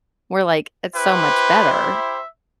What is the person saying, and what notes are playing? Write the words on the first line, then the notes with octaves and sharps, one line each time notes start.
we're like, "It's so much better."
E4 G4 B4 C5
E5